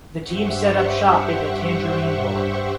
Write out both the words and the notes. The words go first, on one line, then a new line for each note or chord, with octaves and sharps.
The team set up shop in the Tangerine Bowl.
G2 G4 C5 E5 F#5 C#6